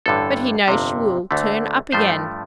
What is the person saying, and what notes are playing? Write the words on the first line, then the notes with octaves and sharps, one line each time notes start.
But he knows she will turn up again.
A1 G2 D3 A4
G1 F2 C3
D2 D3 A3
G2 F3 A3 C5